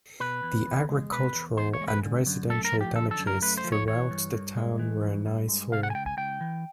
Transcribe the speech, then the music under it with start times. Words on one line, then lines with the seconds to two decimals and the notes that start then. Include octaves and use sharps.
The agricultural and residential damages throughout the town were an eyesore.
0.20 B2 B4
0.43 E2
0.67 E2
0.89 G#3
1.12 B2 B4
1.35 E2
1.57 E2 C5
1.73 C#5
1.81 G#3
1.88 B4
2.04 D3
2.26 F#2
2.50 A3 A4
2.65 A#4
2.73 F3
2.81 G4
2.95 D3 A4
3.11 A4
3.19 F#2
3.27 A#4
3.42 A3 B4
3.57 C5
3.64 F3
3.72 C#5
3.88 E3 C#5
4.11 G2
4.34 G2
4.57 G#3
4.79 E3
5.03 G2
5.26 G2
5.49 G#3
5.72 C3 F5
5.83 F#5
5.90 G#5
5.95 C#2 G5
6.06 G#5
6.17 C#2 G5
6.41 E3